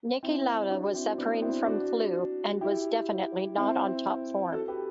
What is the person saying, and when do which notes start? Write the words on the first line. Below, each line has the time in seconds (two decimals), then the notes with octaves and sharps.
Niki Lauda was suffering from flu and was definitely not on top form.
0.23 C4 E4
0.71 D4 F#4
0.94 C4 E4
1.18 B3 D4
1.42 C4 E4
1.66 D4 F#4
2.61 E4 G4
3.57 C4 E4
4.52 F#4 A4
4.68 G4 B4